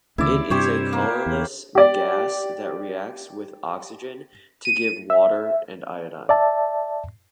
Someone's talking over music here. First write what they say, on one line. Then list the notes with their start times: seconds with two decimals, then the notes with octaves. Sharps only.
It is a colourless gas that reacts with oxygen to give water and iodine.
0.18 D2 C#3 E3 E4 D5
0.50 G2 C3 G3 G4 C5 C#5
0.93 A#3
1.26 E2
1.75 G4 D5
4.65 D#7
5.10 E5
6.29 D5 E5 A5